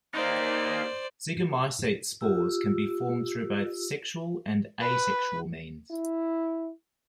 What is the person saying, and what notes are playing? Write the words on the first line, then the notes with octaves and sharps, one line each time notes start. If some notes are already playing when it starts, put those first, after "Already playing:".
Zygomycete spores can be formed through both sexual and asexual means.
A#3 D#4 C5 D5
F4 G4 E6
B4
E4